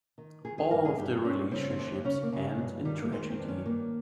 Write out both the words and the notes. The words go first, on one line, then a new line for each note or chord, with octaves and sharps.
All of the relationships end in tragedy.
D#3
D#3 G#4
G#4
G2 A#4
G#4
G2 G4
G2 C#4
C#3 C4
C4
D#2
D#4
C#3 C#4
A#3
C#3
G2
D#3 G3
A#3
D#3 G#3
C4
G2
C#4
D#3 A#3